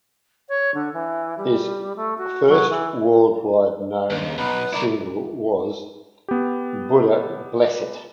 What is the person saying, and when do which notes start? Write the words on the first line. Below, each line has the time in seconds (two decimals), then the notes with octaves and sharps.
His first worldwide known single was "Buddha blessed it".
0.48 C#5
0.74 D3
0.93 E3
1.37 G3
1.96 A3
2.17 F#4
2.47 F#3
2.70 E3
4.10 D#2
4.23 C#3
4.38 B1 B3 B4
4.73 E4 A#4 D5
6.28 B3 G4